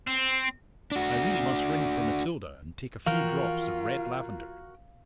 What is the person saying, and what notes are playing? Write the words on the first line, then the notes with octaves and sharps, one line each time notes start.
I really must ring for Matilda, and take a few drops of red lavender.
C4
D4 F#4
E3 F3 F4 F#4 A#4 F5 G5